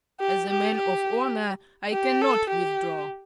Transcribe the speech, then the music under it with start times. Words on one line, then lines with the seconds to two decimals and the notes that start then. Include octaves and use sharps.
As a man of honour I cannot withdraw.
0.19 G4
0.49 G4
0.77 G4
1.93 G4
2.21 A4
2.50 G4